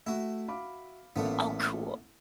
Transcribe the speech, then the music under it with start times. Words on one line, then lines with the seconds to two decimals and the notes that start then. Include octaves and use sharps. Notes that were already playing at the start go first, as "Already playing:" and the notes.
Oh, cool.
0.06 A3 E4 F#4
0.48 F5 B5 D6
1.16 A1 A#2 A3 B3